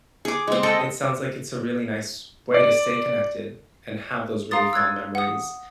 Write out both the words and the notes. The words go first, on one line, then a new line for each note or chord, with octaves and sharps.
it sounds like it's a really nice way to stay connected and have those really fond memories
G#4 D6
G#3 C4
A4 D#5 G5
D5
F5 A#5 C6 D#6 A6
E6 F#6 G#6 A6
F#5 D#6